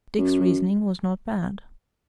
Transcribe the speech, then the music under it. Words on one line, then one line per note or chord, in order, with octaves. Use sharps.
Dick's reasoning was not bad.
F#2